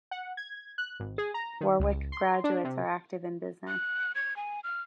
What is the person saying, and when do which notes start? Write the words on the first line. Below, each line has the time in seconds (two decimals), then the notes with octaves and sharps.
Warwick graduates are active in business.
0.11 F#5
0.37 G#6
0.78 F#6
1.00 G#1
1.18 G#4
1.34 A#5
1.61 D#3
1.80 C#2
2.12 C6
2.44 D4
2.64 C3
3.68 F#6
4.15 G#6
4.37 G#5
4.64 F6